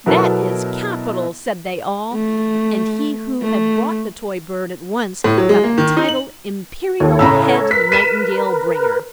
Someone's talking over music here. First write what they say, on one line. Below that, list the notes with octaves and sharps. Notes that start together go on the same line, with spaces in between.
"That is capital!" said they all, and he who had brought the toy bird at once got the title Imperial Head-Nightingale-Bringer.
B2 F#3 B3 E4 A4 A#4
A3
A3
A2
F#3
G#3
A#3
D#3
D#4
F#7
D#2 A4 C#5
A2 C#3 A#5 B5 E6
A#4 B4 B6
B6 D#7 E7